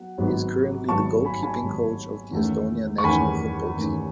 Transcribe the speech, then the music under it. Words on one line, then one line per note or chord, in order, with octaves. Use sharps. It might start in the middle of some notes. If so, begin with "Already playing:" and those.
He is currently the goalkeeping coach of the Estonia national football team.
Already playing: F#3 B3 F#5
G#1 G#2 F#3 B3
G#1 G#2 F#3 B3 A5 C#6
G#5 B5
G#5 B5
G#1 G#2 F#3 B3
E2 D#3 A3 C#4
C#6
E2 D#3 A3 C#4 G#5 B5
E2 D#3 A3 C#4